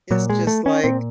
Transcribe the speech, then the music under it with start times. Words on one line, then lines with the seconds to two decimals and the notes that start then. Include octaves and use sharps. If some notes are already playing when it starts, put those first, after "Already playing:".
it's just, like
0.11 A#2 F#3
0.30 G#3
0.47 A3
0.66 C#4
0.84 A#2 C4